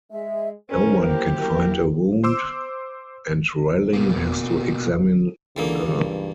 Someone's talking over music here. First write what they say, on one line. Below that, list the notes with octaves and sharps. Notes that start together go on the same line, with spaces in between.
No one can find a wound, and Relling has to examine the girl.
G#3 E5
D2 A2 F#3 A#3 C#4 E4 A#4 C5
G4
F#2 A#4
C5 C6 D6 E6
B2 A#3
C#2 D3 E3 A#3
G2